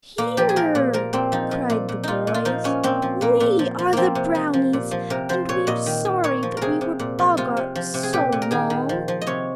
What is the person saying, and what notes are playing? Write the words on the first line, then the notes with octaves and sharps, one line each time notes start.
"Here," cried the boys; "we are the brownies, and we are sorry that we were boggarts so long."
A#2 A#3
F3 G4
G#4
F3 A#4
A#2
F3 A#4
A#2 C4
F3 D#4
F3
A#2
A#2
A#2 D#4 F4
A#2
F4
F3 D#4
A#2 C#4
A#2 C4
F3
A#2 A#3
A#2
F3
F3
F3 A#3 C4
C3
F3
F3
A#2
F3
C3 A#4
F3 C5
A#2 C#5
A#2 D#5
D#3
D#3
A#2 C#5
F3
C3 G#4 A#4
C3
A#2
F3
C3 F4
C3
F3
C3
G#4
A#2 G4
A#2
A#4
D#3 G#4
D#3
F3
F3
D#5
C3 C#5